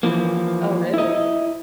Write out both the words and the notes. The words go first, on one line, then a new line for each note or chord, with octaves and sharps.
Oh, really?
E3 F3 A#3
E4 D#5